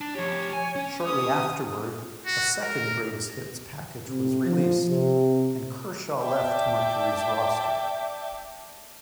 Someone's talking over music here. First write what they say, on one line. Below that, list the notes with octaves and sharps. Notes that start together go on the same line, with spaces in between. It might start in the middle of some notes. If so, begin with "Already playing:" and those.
Shortly afterward, a second greatest hits package was released, and Kershaw left Mercury's roster.
D4
F3 G4 C#5
G#5
C#4
D#6
F#4
A#4
C3
F3
C3
D5 E5 G5 A5 D6